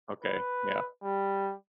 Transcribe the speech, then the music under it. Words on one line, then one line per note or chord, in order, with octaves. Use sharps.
Okay, yeah.
B4
G3